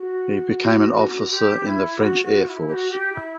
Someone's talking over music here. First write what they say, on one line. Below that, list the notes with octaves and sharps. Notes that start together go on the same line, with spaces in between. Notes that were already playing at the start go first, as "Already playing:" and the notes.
He became an officer in the French Air Force.
Already playing: F#4
G4
E4
F#4
F#4
F#4
E4
G4
F#4
G4
E4